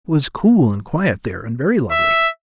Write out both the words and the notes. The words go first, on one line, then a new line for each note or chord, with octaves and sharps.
It was cool and quiet there, and very lovely.
E5